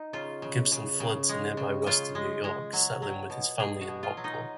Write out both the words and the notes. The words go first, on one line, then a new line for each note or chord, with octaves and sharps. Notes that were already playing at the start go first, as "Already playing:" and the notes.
Gibson fled to nearby western New York, settling with his family in Lockport.
Already playing: D#4
C#3 F4
C#3
C#3
C#3
G#3
C#3
C#3 F4
G#3
G#3
F#3
F#3
B2
B2 G#4
F#4
B2
F4
F#3
D#4